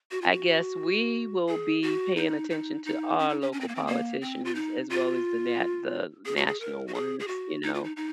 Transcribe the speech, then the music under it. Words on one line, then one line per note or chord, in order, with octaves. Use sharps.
I guess we will be paying attention to our local politicians as well as the na the national ones, you know.
F#4
F4
F#4
G#4
F#4
D#4
D#4
D#4
C#4
D#4
C#4
C#4
C4
A#3
C4
A#3
C4
F4
D#4
F4
G#4
F#4
G#4
A#4
F#4
G#4
G#4
F#4
D#4
F4
D#4
D#4